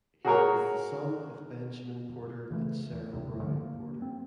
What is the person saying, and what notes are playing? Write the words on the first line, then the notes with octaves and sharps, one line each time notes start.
He was the son of Benjamin Porter and Sarah Brown Porter.
F#4 G#4 A#4 C#5
C#3 E3 G#3 A3
E2
F#1 D2 G2 C3
A2 D3 F3 A3
A#3
C4